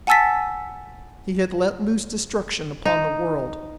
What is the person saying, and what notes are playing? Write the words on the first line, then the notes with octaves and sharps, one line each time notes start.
He had let loose destruction upon the world.
F#5 G#5 A5 E6 A6 B6
D#4